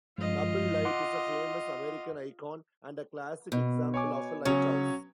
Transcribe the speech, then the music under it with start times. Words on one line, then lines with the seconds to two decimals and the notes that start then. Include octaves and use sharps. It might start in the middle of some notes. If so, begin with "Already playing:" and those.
Nubble Light is a famous American icon and a classic example of a lighthouse.
0.18 G2 F3 G#3 F4 D#5
0.85 F#5 C6 D6
3.52 B2
3.94 C#5 G#5 D6
4.45 C#3 F#3 C#4 C#5